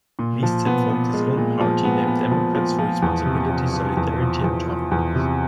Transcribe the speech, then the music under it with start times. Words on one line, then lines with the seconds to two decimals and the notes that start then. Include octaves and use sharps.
Mestan formed his own party, named Democrats for Responsibility, Solidarity and Tolerance.
0.19 A#2
0.43 F3
0.66 B3
0.90 B3
1.13 G#3
1.37 A#2
1.60 F3
1.84 B3
2.08 B3
2.31 F3
2.55 F3
2.79 F3
3.02 E2
3.26 C3
3.50 F3
3.73 F3
3.97 E2
4.20 F3
4.44 E2
4.68 F3
4.91 E2
5.15 C3